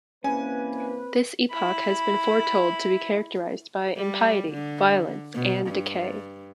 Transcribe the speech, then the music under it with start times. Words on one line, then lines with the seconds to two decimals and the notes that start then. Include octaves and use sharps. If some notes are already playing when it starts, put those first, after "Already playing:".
This epoch has been foretold to be characterized by impiety, violence, and decay.
0.24 C2 E3 A#3 C4 C#4 B4 G#5
1.51 E4 B5
3.96 G3
4.52 D3
5.34 B2
5.68 G2